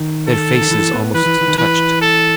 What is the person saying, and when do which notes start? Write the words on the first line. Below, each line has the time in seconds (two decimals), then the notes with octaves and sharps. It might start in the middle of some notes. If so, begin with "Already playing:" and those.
Their faces almost touched.
Already playing: D#3
0.28 A4
0.61 D#3
0.71 E3
0.93 B3
1.14 E3 B4
1.25 E3
1.41 E3
1.48 D#3
1.58 E3 B4
2.01 A4